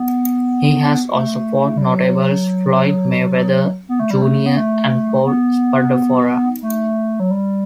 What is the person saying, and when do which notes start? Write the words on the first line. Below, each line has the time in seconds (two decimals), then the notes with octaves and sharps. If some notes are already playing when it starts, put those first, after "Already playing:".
He has also fought notables Floyd Mayweather Junior and Paul Spadafora.
Already playing: B3
1.14 A3
1.77 G3
1.82 F#3
3.89 B3
4.00 A3
4.10 G3
4.22 A3
4.46 B3
4.56 A3
5.25 B3
6.62 A3
7.20 F#3
7.31 G3